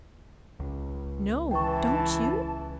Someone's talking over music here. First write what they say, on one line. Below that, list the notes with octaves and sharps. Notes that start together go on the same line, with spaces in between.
"No. Don't you?"
C#2
E3 G5 A5 C#6